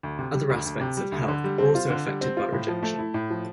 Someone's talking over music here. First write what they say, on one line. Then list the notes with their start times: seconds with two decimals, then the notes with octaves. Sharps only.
Other aspects of health are also affected by rejection.
0.03 D2
0.19 C3
0.34 G3
0.50 D2
0.66 D2
0.81 C3
0.97 G3
1.12 D2
1.28 D3
1.44 G3
1.58 C4
1.75 F4
1.90 D3
2.06 G3
2.21 C4
2.37 F4
2.52 A2
2.68 F3
2.83 A3
2.98 E4
3.14 A2
3.30 F3